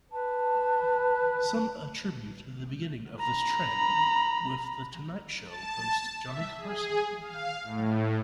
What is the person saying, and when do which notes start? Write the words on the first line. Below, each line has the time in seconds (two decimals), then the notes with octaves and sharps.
Some attribute the beginning of this trend with "The Tonight Show" host Johnny Carson.
0.12 B4 A5
3.20 A#5 B5
5.45 A5
6.24 E5
6.57 G#4
7.21 F5
7.64 A2